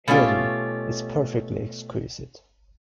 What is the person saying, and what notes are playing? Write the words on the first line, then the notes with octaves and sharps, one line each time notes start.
Hettie, it’s perfectly exquisite.
B2 A3 C#4 F4 G4